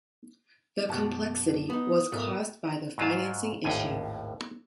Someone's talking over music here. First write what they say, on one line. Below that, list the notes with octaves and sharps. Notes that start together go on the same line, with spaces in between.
The complexity was caused by the financing issue.
F#2 B2 G4 A5
B3 D#4 D#6
B1 G#2 A3 B3 F4 A#4
G#2 F#3 F4 A5
G#1 D#2 A2 G#5